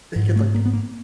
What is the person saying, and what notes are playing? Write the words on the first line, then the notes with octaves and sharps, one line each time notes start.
They could like
G#2
A3
A#3
B3
A#3